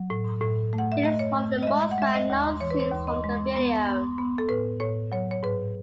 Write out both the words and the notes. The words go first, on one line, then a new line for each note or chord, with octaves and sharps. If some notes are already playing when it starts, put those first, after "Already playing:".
It is one of the most well-known scenes from the video.
Already playing: F#3
A2
A2
A3
F#5
E5
A3 D#5
C#5
A3
D#5
G#3 E5
F#5
G#3 E5
D#5
D#2
E3 C#5
B4
C#5
D#2
D#5
G#3
B3
B3
B3
A4
A2 B4
A2 C#5
F#3 C#5
C#5
G#2 B4